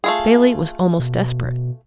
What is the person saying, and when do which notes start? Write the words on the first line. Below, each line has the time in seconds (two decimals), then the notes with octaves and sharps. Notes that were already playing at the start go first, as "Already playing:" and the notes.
Bailey was almost desperate.
0.04 A3 F4 G#4
0.99 B2